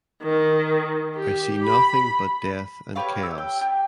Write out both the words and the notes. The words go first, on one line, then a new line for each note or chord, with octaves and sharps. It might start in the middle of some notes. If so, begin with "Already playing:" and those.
I see nothing but death and chaos.
D#3
G4
B5
G4 B4 C#5 F5
E6
G5
G4